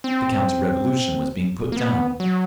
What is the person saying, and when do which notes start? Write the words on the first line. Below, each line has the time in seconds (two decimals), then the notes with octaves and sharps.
The counter-revolution was being put down.
0.04 C4
1.72 A#3
1.77 B3
2.20 F#3